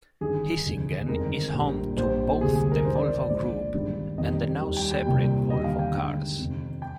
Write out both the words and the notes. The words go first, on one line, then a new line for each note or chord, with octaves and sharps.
Hisingen is home to both the Volvo Group and the now separate Volvo Cars.
G#1 G2 D3 G#4
F1 D#2 D3 G#3
G1 F2 D#3 G#3 A#4
A#1 A#2 G3
A#1 A#2 G3 C5
D2 C3 G3 G#4
G#4
A#4
A#1 G#2 D#3 C5
D5
C5
A#1 A#2 F3 G#3 D5
G#1 G2 D#3 G#3
F2 D#3 G3 D#5
D#2 D#3 G3
G5
G5
C2 A#2 G3
D#2 D3 G3 D#5
F5
G5
G1 G2 D#3 G#3
F2 C3 D#3
G5